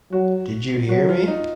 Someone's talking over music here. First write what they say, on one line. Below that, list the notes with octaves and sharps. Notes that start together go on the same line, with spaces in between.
Did you hear me?
F#3 F#4
F#3 F#4
F4
D#4